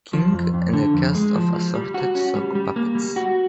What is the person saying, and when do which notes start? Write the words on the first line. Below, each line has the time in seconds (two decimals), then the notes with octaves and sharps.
King and a cast of assorted sock puppets.
0.13 F3
0.33 F2
0.54 F2
0.73 D3
0.94 F2
1.15 G#3
1.35 F3
1.54 F3
1.75 G3
1.94 F#4
2.15 C#4
2.35 G3
2.55 G3
2.76 A#3
2.95 G3
3.16 F#4